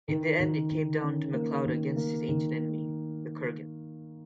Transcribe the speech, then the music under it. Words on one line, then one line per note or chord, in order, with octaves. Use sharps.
In the end, it came down to MacLeod against his ancient enemy, the Kurgan.
D#3
D#3
D#3
C#4
A#3
D#3
A#3
D#3